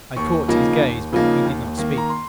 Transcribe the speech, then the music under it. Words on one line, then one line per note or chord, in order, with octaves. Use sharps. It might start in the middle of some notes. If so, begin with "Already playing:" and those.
I caught his gaze but he did not speak.
D#2 C#6
C#3 F3 A#3 D#4
D#2
C#3 F3 A#3 D#4
D#2
D#3 A#3
A#5
C6